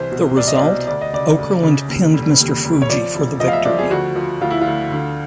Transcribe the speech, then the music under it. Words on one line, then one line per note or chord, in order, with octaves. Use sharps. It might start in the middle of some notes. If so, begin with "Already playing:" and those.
The result: Okerlund pinned Mr. Fuji for the victory.
Already playing: C2 E3 C5
B2
C2 D5
D#5
D5
B2
D2 D5
D#5
C#3 D5
D2
C#3
D#2
F1
D#2
D#2
C#5
F3 D5
E1
F3 D#5
F5
E5
F3 D5
G#4
D2 F#4
F3
D2 F4
E4
F4
D2
D3